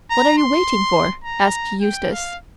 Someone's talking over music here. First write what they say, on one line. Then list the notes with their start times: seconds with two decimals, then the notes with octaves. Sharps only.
"What are you waiting for?" asked Eustace.
0.10 A#5
0.39 C6
1.24 A#5
1.82 G5
2.11 F5